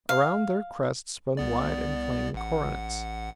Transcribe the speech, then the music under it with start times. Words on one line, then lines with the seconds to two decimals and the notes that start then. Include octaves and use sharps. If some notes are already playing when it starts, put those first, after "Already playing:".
Around their crests spun wide and flaming coronets.
0.09 F5
1.37 C2 B3 D5
2.34 A1 F#5